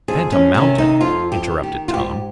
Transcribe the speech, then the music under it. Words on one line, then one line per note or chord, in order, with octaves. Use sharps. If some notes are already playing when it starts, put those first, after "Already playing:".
"Phantom Mountain?" interrupted Tom.
F2 G#4
C#4
C3 D#3 C#4
D#4
F2 F4
G4
D#3
G4
F4
G#2 G4